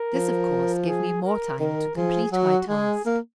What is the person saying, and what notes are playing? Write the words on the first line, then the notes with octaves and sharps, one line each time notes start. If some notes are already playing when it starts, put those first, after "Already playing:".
This, of course, gave me more time to complete my task.
Already playing: A#4
F3
G#4
A#4
D#3 A#4
F3 G#4
F#3 F#4
G#3 G#4
A#3